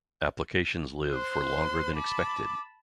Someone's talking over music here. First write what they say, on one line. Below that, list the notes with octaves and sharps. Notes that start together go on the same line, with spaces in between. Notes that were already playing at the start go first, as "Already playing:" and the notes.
Applications live for longer than expected.
C5 C6 F#6
A5 B5 D6